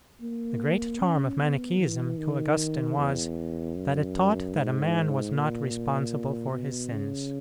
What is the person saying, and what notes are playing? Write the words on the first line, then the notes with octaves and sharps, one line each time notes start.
The great charm of Manicheism to Augustine was that it taught that a man was not responsible for his sins.
A#3
C#4
B3
E3
D#3
E2
F#2
G#2
A#2
B2
C#3